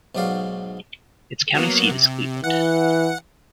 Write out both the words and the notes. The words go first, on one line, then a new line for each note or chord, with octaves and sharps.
Its county seat is Cleveland.
B1 G#2 F#3 D5 F5
F#3 A#3 B3
C3
E3 F#5